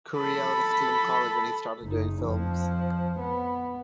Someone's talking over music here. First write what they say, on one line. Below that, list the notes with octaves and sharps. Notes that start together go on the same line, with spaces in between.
Curiel was still in college when he started doing films.
A4 B5
F#1 D#4
F2 F3
B3